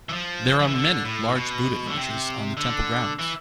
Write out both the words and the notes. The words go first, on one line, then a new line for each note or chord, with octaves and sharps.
There are many large Buddha images on the temple grounds.
E3
F3
F3
E3
D3
A2
B2
D3
C3
D3
E3